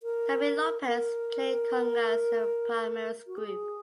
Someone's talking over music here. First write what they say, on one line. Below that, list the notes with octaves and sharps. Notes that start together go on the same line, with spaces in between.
Tommy Lopez played congas in Palmieri's group.
A#4
A#4
F#4
G#4